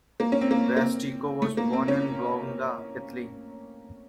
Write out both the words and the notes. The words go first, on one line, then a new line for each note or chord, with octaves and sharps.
Bastico was born in Bologna, Italy.
A#3
C#4
C4
A#3
A#3
C4
A3
A#3
C4
C#4